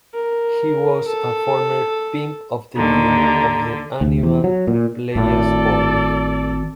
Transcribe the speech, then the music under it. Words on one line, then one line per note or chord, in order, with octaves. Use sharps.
He was a former "Pimp of the Year" of the annual Players Ball.
A#4
A4
D#2 D3 A#5
D2
E2
F#3
A#2
G#1 A2 A4 D5